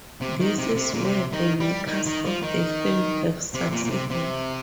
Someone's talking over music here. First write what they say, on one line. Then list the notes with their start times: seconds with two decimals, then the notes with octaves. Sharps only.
This is where the makers of the film have succeeded.
0.21 C3
0.40 D#3
0.58 C3
0.76 C3
0.94 A#2
1.04 C3
1.33 D#3
1.60 G3
1.87 D#3
2.06 D#3
2.25 F3
2.43 D#3
3.54 C3
3.72 A#2
3.85 A#2
3.91 C3
4.10 C3